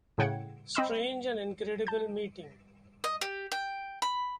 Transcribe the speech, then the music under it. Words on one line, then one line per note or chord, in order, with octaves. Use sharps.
Strange and incredible meeting!
A2 C#3 F#5 G5 G#6 C#7
C4 D#5 B5 E6 E7
A5 G6
D#5
G4
G5
B5